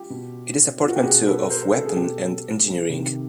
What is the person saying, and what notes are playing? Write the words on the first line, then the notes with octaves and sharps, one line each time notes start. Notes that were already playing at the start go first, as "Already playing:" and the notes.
It is a portmanteau of "weapon" and "engineering".
Already playing: F4 G4
B2
F4
F#4
G4
B2 F#4 G#4
A4 B4
A#4 C5
C5
A4 B4
G#4
B2 G4 A4
C3 D#3